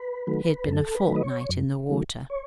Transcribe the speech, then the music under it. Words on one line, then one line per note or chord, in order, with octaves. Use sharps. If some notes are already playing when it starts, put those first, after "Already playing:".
He had been a fortnight in the water.
Already playing: B4
D#3 F#3 A3
F#2 A4
B4
D#3 F#3 A3
D#5
C#5
F#2
D#3 F#3 A3
C#5